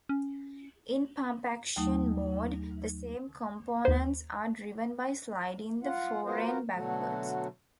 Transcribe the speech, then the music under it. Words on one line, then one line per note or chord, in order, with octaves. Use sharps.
In pump-action mode the same components are driven by sliding the fore-end backwards.
C#4
D#2 F#3 A3 D#4
D#2 C5
F4 F#5
B3 F4 F#4 A#4 C5
B2 D3 F#3 A3 F#4